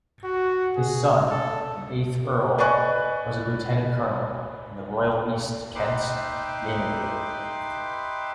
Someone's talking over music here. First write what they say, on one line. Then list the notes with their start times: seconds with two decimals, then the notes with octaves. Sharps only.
His son, the eighth Earl, was a Lieutenant-Colonel in the Royal East Kent Yeomanry.
0.24 F#4
0.76 G#4
1.30 A4
2.58 B4 D5 D#5 G#5 C#6 F#6
5.75 D#4 G4 B4 E5 C6 D6